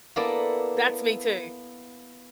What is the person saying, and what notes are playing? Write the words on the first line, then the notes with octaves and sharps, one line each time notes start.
That's me too.
A#3 B3 E4 A4 D5